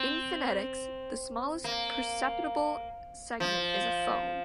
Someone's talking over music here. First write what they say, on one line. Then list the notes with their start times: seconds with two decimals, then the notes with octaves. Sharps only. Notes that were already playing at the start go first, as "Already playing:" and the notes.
In phonetics, the smallest perceptible segment is a phone.
Already playing: C4
1.64 A#3
3.40 F3